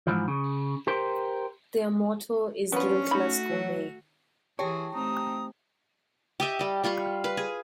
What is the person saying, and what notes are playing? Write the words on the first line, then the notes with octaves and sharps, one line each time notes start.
Their motto is Guiltless Gourmet.
G#2 B2 E3 F3
C#3
G4 A#4 C5
F3 B3 C#4 D4 B4
A3 D#4 F#4 B5
F#3
E3 G4 G#4 C#5 G5 A5
A3 C4 D#4 A#5 D#6
G4 D#5 E5
G3 D#5
G3 F4 B5 C#6
B4 F5
G#4